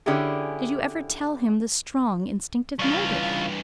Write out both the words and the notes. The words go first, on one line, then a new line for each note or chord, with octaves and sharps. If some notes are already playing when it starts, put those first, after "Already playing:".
Did you ever tell him the strong, instinctive motive?'
D3 C#4 E4 G4 G#4
G2 C#3 E3 F4